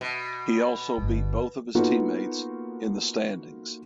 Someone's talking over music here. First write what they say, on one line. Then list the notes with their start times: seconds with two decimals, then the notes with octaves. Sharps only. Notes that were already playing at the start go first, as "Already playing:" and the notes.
He also beat both of his teammates in the standings.
0.01 B2
0.98 D1 G1
1.75 A#3 B3 D#4 F4 F#4 A4